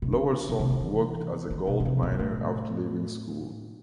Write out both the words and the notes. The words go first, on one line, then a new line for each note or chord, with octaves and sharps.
Lowerson worked as a gold miner after leaving school.
C3
D3
B2
C3
D3
E3
D3
B2
D3
C3
B2
G2
A2